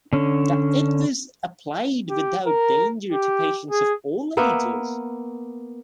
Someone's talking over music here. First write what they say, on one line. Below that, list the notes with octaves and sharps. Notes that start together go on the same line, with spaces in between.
That it was applied without danger to patients of all ages.
D3 C#4
G4
A#4
G4
G#4
A#3 B3 E5